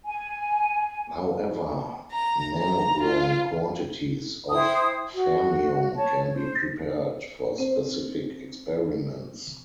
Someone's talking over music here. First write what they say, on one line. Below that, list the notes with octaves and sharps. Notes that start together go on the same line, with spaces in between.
However, nanogram quantities of fermium can be prepared for specific experiments.
G#5
A#5
A#5
F4
E4 C5 G5 D#6
F#4
C#5 A5
C5
C4 C5